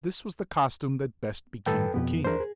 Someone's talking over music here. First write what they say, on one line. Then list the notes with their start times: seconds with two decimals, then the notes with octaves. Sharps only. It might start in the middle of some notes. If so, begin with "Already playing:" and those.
This was the costume that best became the king.
1.66 A2 D#3 G3 A4 B4 G5
1.94 F2 B2 B3 G4 B4
2.24 E3 D4 G#4 A#4 C5
2.40 G#4